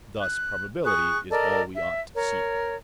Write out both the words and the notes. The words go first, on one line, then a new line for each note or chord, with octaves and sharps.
Thus probability is all we ought to seek.
F#6
G#4 C#6 F#6
A4 A#4 D5 D#5
E5
A#4 C#5